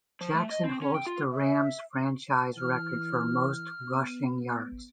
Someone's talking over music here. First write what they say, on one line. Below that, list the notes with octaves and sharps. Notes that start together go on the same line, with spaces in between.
Jackson holds the Rams franchise record for most rushing yards.
F3
A3
D#5
C4
C#4
G5
F4
E5
E3 F6
B3